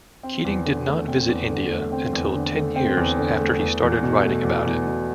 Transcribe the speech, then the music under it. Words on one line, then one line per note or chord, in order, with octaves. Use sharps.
Keating did not visit India until ten years after he started writing about it.
C4
E2
D3
A3
C4
E2
D3
A3
C4
E2
D3
A3
C4
E2
D3
A3
E2
E2
B2
A3
E2
E2
B2